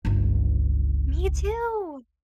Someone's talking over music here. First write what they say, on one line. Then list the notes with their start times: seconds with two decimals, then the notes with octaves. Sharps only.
Me too.
0.05 G1 C#2